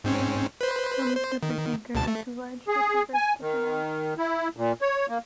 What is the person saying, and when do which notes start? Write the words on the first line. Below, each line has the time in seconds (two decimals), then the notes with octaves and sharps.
Some supertankers are too large to traverse the canal.
0.04 G#2 C4 C#4
0.61 B4 C5
1.16 C5
1.43 D#3
1.95 C#2 B2 A5
2.07 A3
2.68 G#4
3.14 G#5
3.41 D#3
4.18 E4
4.57 A#2
4.81 C#5
5.09 A#3